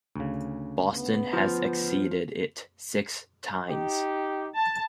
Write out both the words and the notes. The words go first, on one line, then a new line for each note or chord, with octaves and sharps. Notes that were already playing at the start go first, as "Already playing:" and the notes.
Boston has exceeded it six times.
D2 C#3
B3
F3
D#4 G4
A5